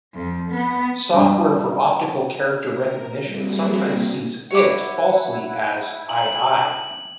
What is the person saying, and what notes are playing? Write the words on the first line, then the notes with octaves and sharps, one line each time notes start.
Software for optical character recognition sometimes sees it falsely as "ii".
F2
B3
G2
A#4
G3 A#3 C4 E4 F#4 G#4
E4 C#5 F#5 D6
F#7